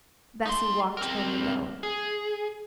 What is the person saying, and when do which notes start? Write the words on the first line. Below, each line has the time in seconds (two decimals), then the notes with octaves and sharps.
Bessy walked home alone.
0.46 D#4 C6
0.97 C4 A#4
1.83 G#4